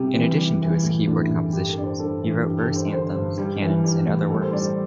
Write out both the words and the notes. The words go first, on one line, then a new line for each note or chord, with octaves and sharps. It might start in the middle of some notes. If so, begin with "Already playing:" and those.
In addition to his keyboard compositions, he wrote verse anthems, canons and other works.
Already playing: C3 G3 G4
E3
G3
E3
A2
A2 D4
E4
A2
G2 G4
A4
G2 D5
C5
G2 A4
E3
G2 G4
A4
G2
C5
D3 C5
G2
G3
E3
G3
A2
G3 A4
C5
G3 D5
D5